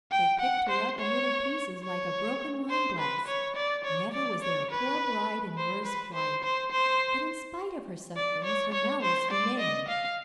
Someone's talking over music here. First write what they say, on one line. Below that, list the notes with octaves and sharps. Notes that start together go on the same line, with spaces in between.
They picked her up in little pieces, like a broken wineglass; never was there a poor bride in worse plight. But in spite of her sufferings her malice remained.
G5
F#5
C5
C#5
C#5
C5
B4
C#5
D5
C#5
D5
C#5
B4
C5
B4
C5
C5
C5
D5
C#5
C#5
C5
D5
D#5
F5